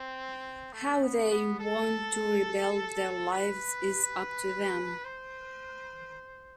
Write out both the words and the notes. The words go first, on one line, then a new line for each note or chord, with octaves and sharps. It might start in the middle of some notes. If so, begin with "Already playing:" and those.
How they want to rebuild their lives is up to them.
Already playing: C4
A3
B3
B3
A4
B4
C5